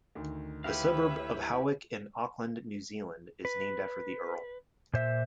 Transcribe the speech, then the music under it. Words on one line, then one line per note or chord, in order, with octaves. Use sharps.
The suburb of Howick in Auckland, New Zealand, is named after the earl.
D2 D#3
E4 G4 B4 C#5 E5 F5
B4
A#2 C5 E5